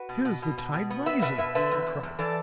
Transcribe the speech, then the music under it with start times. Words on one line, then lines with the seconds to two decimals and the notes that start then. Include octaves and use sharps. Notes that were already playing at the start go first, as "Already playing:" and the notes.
"Here is the tide rising," I cried.
Already playing: F#4 B4
0.09 B2
0.25 B2
0.42 B2
0.58 B2
0.74 B2
0.90 B3
1.06 B3 B4 E5
1.22 B2 B4 E5
1.38 B2 B4 E5
1.55 D3 B4 E5
1.71 E2
1.87 E2
2.03 E2
2.19 E3 A4 D5